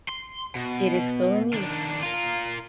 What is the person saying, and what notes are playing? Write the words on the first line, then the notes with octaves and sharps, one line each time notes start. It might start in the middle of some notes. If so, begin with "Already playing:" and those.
It is still in use.
C6
B2
D#3 D4
F4 A#4